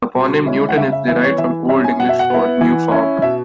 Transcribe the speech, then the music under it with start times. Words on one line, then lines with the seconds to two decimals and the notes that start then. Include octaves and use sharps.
The toponym "Newton" is derived from the Old English for "new farm".
0.15 B2
0.46 G#3 C#4 E4
0.69 F#5
0.77 C#3 E5
0.92 E5
1.08 E3 B3 E5
1.23 C#5
1.38 E3 E5
1.69 C#4 E4 E5
1.84 G#5
1.99 B2 F#5
2.09 E5
2.19 F#5
2.30 B3 E4
2.61 E3
2.92 C#4 E4
3.22 B2 E5